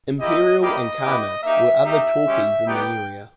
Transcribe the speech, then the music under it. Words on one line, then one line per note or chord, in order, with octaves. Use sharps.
"Imperial" and "Khanna" were other talkies in the area.
A#3 E4 G4 D#5
G3 A#3 E4 G4 D#5
B3 E4 G4
A#3 D#4 G4 E5
A#3 D#4 G4 E5
G#3 C#4 G4
G3 B3 D#4 G4 G5